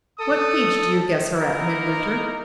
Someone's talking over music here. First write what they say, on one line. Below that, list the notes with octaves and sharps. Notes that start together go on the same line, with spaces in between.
What age do you guess her at, Midwinter?
A4 D#6
A#3 D#4 E4 A#4